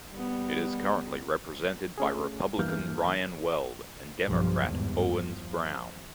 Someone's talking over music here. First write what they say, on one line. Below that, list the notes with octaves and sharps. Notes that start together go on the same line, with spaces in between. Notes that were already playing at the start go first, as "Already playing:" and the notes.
It is currently represented by Republican Ryan Weld and Democrat Owens Brown.
G3 B3
A3 C#4 G#4
E2 G2 E3 A#3 F6 G6
B1 G2 F3
G#1 E2 G2
F3